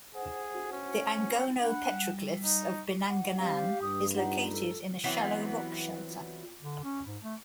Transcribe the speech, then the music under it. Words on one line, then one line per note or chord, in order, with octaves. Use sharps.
The Angono Petroglyphs of Binangonan is located in a shallow rock shelter.
G#4 C5 F#5
C#4
D4 F#5 B5
G3
D#4
F#5
G3 C4 G4 F5
G2 D#6
D#4 F#5
A4
E3 F#3 B3 C4
D3
C#4
G#2
A3